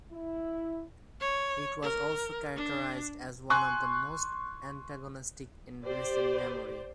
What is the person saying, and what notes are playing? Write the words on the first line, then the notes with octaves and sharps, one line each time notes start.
It was also characterized as one of the most antagonistic in recent memory.
E4
C#5
A#4
D4
G#5 C6 C#6 F#6
G4 C5 D5